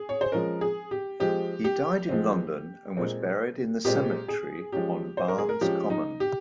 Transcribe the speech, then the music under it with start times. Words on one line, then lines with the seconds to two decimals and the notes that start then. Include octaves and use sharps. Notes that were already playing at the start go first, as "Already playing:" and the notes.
He died in London, and was buried in the cemetery on Barnes Common.
Already playing: G#4
0.09 C#5
0.21 C5
0.32 F3 G#3 C#4 A#4
0.61 G#4
0.91 G4
1.20 F3 G#3 C4 G4
1.64 G4
2.09 F3 G#3 C4
2.97 A#2 G#3 C4
3.85 A#2 G#3 C4 G4
4.28 G#4
4.72 F3 G#3 C#4 G4
5.17 C5
5.28 A#4
5.38 G#4
5.49 A#4
5.61 F3 G#3 C#4 G4
5.90 D#4
6.20 G4